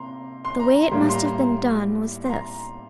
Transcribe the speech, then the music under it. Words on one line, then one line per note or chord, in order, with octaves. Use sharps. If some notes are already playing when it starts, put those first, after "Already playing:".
The way it must have been done was this.
Already playing: C3 A#3 A#5 C6
C6
A#5
A#5
A2 G3 A#3 C6
C6
A#5
C6
A#5